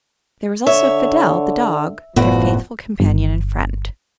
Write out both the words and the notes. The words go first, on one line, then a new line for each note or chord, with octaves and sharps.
There was also Fidel, the dog, their faithful companion and friend.
D3 C#5 E5
F#1 E2 A2 F3 B3 F#4
G1